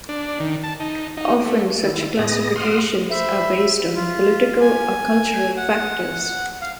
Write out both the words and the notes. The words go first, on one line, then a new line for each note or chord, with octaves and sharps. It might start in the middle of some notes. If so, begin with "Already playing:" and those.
Often such classifications are based on political or cultural factors.
D4
D#3
A5
D#4
D#4
A3
D#3 E4
A2 B3 G#4 D#5 A#6
F5 F#5 C6 D#6 F6
C5 E5 B5
F4
G#5
F#5
F5